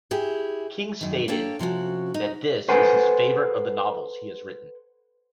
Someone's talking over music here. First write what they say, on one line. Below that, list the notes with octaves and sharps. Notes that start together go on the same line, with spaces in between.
King stated that this is his favorite of the novels he has written.
E4 G4 G#4
F#2 D#3
A#3 D4 A4 C#5 G5
C3 F3 C#4 F#4
D#4
A4 B4 C5 F#5 G#5